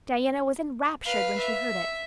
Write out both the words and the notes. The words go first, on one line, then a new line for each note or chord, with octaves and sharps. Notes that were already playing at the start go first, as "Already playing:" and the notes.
Diana was ENRAPTURED when she heard it.
B4 F5
E5